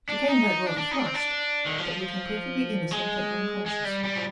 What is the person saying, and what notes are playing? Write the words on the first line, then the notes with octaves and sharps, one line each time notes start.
She came back rather flushed, but looking perfectly innocent and unconscious.
D4
D#4
D4
D4
D#4
D4
C4
D4
D#3
F3
G#3
G#3
G3
G3
F3